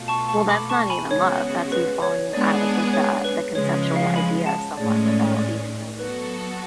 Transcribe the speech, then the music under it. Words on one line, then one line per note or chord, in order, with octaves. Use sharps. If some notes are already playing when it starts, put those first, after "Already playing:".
Well, that's not even love, that's you falling in at like, with the the conceptual idea of someone without even really
Already playing: B2 A3 F4 A4
A5 C#6
A5 C#6
B5 D6
A5 C#6
G#5 B5
C#3 G#3 B3 F#4 C#5
B4
C#5
G#3 B3 D4 G#4 D5
C#5
B4
C#3 F3 G#3 C#5
F5
G#5 B5
F#5 A5
A2 G#3 C#4 D5
D5
D5
F#3 B3 F#4 A4 B4